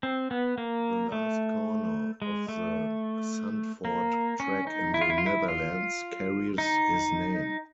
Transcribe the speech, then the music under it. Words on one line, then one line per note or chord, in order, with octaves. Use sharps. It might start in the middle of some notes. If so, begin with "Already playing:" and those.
The last corner of the Zandvoort track in the Netherlands carries his name.
C4
B3
A#3
A3
G#3
A3
A#3
C#4
D#4
E4
F4
E4
F4
E4
F4
D#4